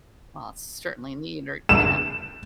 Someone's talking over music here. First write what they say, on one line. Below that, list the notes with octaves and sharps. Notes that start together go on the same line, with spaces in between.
uh, certainly need or yeah
E7